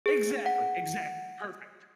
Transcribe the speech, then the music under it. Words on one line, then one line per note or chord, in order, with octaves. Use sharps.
Exactly, exactly, perfect.
G#4
F#5